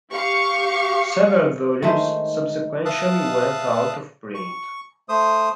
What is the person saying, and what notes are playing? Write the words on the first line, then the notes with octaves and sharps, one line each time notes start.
Several volumes subsequently went out of print.
G4 F5 C#6
D#3 G#3 A3 C5
E5 F5 A5 D#6 F#6
C#6
A3 C5 D#6